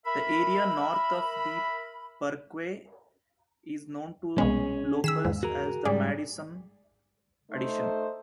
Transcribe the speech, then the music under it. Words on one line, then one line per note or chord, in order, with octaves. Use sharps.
The area north of D Parkway is known to locals as the "Madison Addition".
A#4 E5 B5
C2 B2 G#3 C#4 G#4 C#5
D#3 G#4 E6 B6 E7
E2 G#2
F#4 G#4 A#4
G#2 G3 G#4 D5
A3 D#4 C5